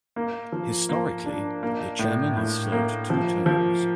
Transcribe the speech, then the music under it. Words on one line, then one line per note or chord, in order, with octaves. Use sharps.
Historically, the Chairman has served two terms.
A#3
F3
A#3
D4
A#3
A2
A2
A#3
F3
F3